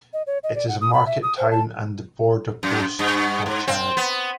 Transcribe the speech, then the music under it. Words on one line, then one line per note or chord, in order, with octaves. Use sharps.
It is a market town and the border post for Chad.
D#5
C#5
D#5
D5
F#5
D#6
B5
E5
D#6
C5
A5
F#2
G2
G#2
C4
B3